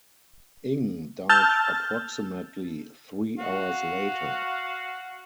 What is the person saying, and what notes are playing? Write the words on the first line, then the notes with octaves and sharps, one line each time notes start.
Eng died approximately three hours later.
A5 E6 F6 G6 A6
F#4 F5